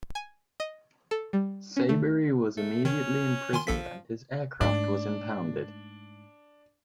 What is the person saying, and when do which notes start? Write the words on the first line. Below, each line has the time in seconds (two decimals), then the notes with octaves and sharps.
Saibory was immediately imprisoned and his aircraft was impounded.
0.15 G#5
0.60 D#5
1.11 A4
1.33 G3
1.77 C#4
1.89 A3
2.57 A3
2.85 D#3 C#4
3.52 D#3 G#5 C6
3.67 A#1 F3 A4 B6
4.61 G#2 A3 D4